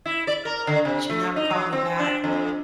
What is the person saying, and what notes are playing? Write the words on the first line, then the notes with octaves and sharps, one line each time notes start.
She never called me back.
E4
D5
A#4
D3
C3
A3
D#4
F#3
C4
D4
F2